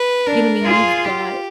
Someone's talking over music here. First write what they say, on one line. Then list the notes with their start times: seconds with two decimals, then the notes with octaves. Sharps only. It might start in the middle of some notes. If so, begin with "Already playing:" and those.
you know, I mean, you've got,
Already playing: B4
0.27 D4 A#4
0.65 F4 G#4
1.05 G4